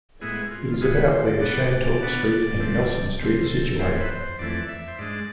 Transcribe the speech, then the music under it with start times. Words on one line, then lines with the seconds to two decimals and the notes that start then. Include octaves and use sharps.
It is about where Shantung Street and Nelson Street situate.
0.21 A2 G#3 B3 E4 G#4
0.51 F4
0.76 F4
0.80 A2 G#3 B3 E4 G#4
0.96 B4
1.11 C5
1.26 D5
1.41 B2 B3 D4 D5
1.71 D5
2.00 B2 B3 D4
2.60 D2 C3 F3 A3
3.20 D2 C3 F3 A3 C5
3.50 A4
3.79 F2 E3 A3 C5
4.00 B4
4.10 C5
4.39 F2 E3 A3 D5
4.69 E5
4.88 C5
4.99 G#2 G#3 D4 D5